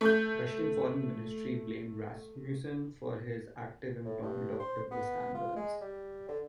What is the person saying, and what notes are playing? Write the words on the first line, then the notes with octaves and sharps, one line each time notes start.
Russian Foreign Ministry blamed Rasmussen for his active employment of double standards.
A3 G6
A2
G2
C5
B3
F4
G#3
G3
D3